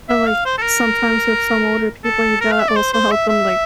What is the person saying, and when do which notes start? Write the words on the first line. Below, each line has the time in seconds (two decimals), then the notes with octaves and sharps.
And, like, sometimes with some older people, you gotta also help them, like,
0.09 E5
0.27 F5
0.45 C5
0.58 A4
0.62 A#4
2.04 A4
2.41 A#4
2.52 F5
2.60 E5
2.69 D5
2.76 C5
2.93 C5
3.11 E5
3.29 E5